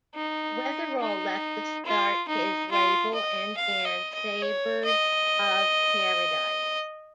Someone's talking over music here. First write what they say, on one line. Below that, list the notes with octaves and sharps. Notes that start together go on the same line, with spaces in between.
Weatherall left to start his label and band Sabres of Paradise.
D#4
D#4
F4
D#4
F4
D#5
F5
D#5
D#5
C#5
D#5